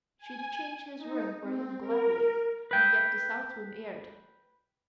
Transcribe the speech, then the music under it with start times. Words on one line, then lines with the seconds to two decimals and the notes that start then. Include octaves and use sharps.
She'd change his room for him gladly, and get the south room aired.
0.18 G#5
0.97 D#4
1.40 C4
1.80 A#4
2.71 B4 G5